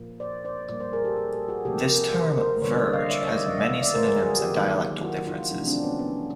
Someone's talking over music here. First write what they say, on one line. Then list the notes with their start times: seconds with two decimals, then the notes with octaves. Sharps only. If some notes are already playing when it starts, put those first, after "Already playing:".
This term "verge" has many synonyms and dialectal differences.
Already playing: A#2 F3 A#3
0.20 C5 D5
0.45 C5 D5
0.68 A#2 G3 A#3 C5 D5
0.80 C5 D5
0.93 G#4 A#4
1.05 G4 A4
1.16 G#4 A#4
1.33 G4 A4
1.49 F#4 G#4
1.65 C3 F3 A#3 G4 A4
1.90 G#4 A#4
2.13 A#4 C5
2.37 A#4 C5
2.62 D3 G3 A#3 B4 C#5
2.77 C5 D5
2.93 D#5 F5
3.09 D5 E5
3.22 C#5 D#5
3.33 D5 E5
3.46 D#5 F5
3.58 C#3 E3 G#3 E5 F#5
3.70 D#5 F5
3.82 D5 E5
3.94 A#4 C5
4.01 B4
4.06 G#4 A#4
4.22 F#4 G#4
4.38 F4 G4
4.54 D#3 F#3 A#3
5.02 E4 F#4
5.27 D#4 F4
5.51 C3 F3 A3 D4 E4
5.67 C4 D4
5.83 B3 C#4
5.99 B3